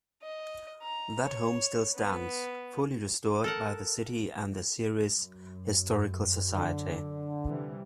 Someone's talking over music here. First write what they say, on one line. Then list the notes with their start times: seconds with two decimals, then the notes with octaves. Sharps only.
That home still stands, fully restored by the city and the Ceres Historical Society.
0.23 D#5
0.82 A#5
1.23 C#5
1.96 B3
3.44 A4 A#4 F#5
5.16 F#2
6.54 D3
7.48 C3 E3 G3